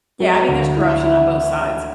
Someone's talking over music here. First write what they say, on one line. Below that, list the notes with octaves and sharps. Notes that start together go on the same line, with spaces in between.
Yeah. I mean, there's corruption on both sides,
F#3
D2
E4
E4